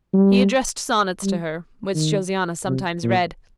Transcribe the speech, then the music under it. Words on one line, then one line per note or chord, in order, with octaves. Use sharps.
He addressed sonnets to her, which Josiana sometimes read.
G3
G3
D#3
C3
A#2